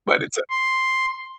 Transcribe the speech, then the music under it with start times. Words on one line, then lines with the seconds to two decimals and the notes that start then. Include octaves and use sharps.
But it's, uh
0.50 C6